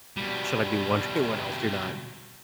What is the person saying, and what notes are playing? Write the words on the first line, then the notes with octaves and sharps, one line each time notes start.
should I be wondering what else you're not
B2 G3